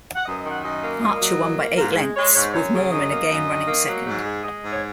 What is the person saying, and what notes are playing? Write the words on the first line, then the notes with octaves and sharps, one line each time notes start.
Archer won by eight lengths, with Mormon again running second.
F#5
F#2 D#5
D#5
D#3
F#5
F#2 D#5
A#3
A#2 D#5
F#3
A#2
A#3
G#2 A#4
G#3
G#3 C#5
G#2 C#5
F#2 C#5
C#3
F#2 D#5
A#3
F#2
D#3
A#3
F#3
G#2
G#3
G#3 D#5
G#2
C#5